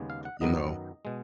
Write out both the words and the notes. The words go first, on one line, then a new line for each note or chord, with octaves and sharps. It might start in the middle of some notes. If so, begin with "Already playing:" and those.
you know?
Already playing: D#2 C#3 G#3 B3
F5
F#5
F#2 D#3 F#3 B3 D#5
B2 G#3